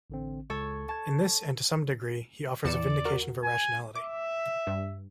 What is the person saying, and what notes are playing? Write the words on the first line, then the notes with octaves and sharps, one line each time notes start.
In this, and to some degree, he offers a vindication of irrationality.
A1 D3 C4
C#2 A4 C#5
A5 C#6 G#6
E2 D5 C#7 E7
F#4 A#4
G#5
E5 D6
G2